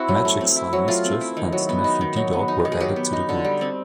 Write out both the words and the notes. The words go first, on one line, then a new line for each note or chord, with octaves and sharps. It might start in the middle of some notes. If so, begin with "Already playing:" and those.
Magic's son Mischief and nephew D-Dog were added to the group.
Already playing: C4 E4 F#4
F#3
A3
C4
E4
F#3
A3 F4
C4
E4
D#3
F#3
B3
D#4
D#3
F#3
B3
D#4
D#3
G#4
F#3 G4
B3
D#4
D3
G3
C4